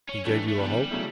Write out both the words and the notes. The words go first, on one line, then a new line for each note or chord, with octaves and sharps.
"He gave you a hope?"
C#4
E3 G3 A3 D4
A3
C#3 E3 G3 B3 D4
C#3 F#3 A3 E4